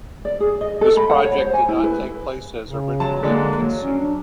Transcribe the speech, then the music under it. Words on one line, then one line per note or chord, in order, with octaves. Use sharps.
This project did not take place as originally conceived.
D5
G#4
D#5
A4
B5
F#5
C#5
C5
G#5
E4
B4
C#3
F#3 A5
D3 G#3 A#3 D4
F#3
C#4
D4